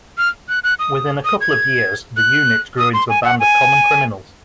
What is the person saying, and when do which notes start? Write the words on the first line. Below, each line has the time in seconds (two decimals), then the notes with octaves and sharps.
Within a couple of years, the unit grew into a band of common criminals.
0.18 F6
0.49 F#6
0.64 F#6
0.79 D#6
1.25 D#6
1.41 G#6
2.17 F#6
2.78 D#6
2.93 C6
3.09 G#5
3.24 F#5
3.40 G#5